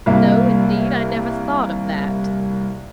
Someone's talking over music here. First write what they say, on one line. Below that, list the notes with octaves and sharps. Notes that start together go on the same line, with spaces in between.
"No, indeed, I never thought of that."
C2 A#3 E5